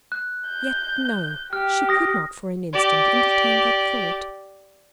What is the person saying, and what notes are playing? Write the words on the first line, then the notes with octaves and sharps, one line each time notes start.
Yet, no; she could not for an instant entertain that thought.
F#6
G6
G4 F6
D#6 A#6
G4 D5